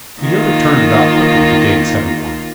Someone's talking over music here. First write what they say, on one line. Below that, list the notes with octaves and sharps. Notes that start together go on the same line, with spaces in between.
The other turned about quickly to gaze heavenward.
D#3 A#3 F4